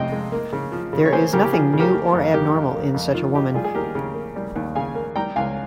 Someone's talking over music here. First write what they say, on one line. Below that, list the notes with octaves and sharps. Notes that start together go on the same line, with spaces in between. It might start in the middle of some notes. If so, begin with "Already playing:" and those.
There is nothing new or abnormal in such a woman.
Already playing: F2 C3 D#5 G5
G#3
A#3
C#3
F3
C#3
C#5
A#3 G#4 C5
C#3 G4 A#4
G4
F3 F4 G#4
C#3
G4 A#4
A#3
F2
D#3 G4 A#4
D#4
A#3
F2
D#3 F4
D#4 G4
G3 F4 G#4
G#4
D#2 G4 A#4
C#3
A#3
G3
D#2
C#3 F5 G#5
A#3
G3 G5 A#5
C#2 F5 G#5